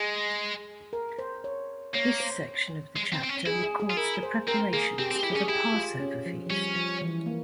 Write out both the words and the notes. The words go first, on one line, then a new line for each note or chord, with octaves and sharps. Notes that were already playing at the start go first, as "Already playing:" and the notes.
This section of the chapter records the preparations for the Passover feast.
Already playing: G#3 G#4
A#4
C5
C#5
A#3 C#5
C5
G#3
C4
C4
C#4
E4 G#4
G#4
G#4
F4
E4 A#4
C5
C4 A#4
A#3 G#4
C4 G4
C4
G4
E4
C#4 G#4
E4 G4
F4
C#4
F3
F3
G3 C#4
F3
E3
A#3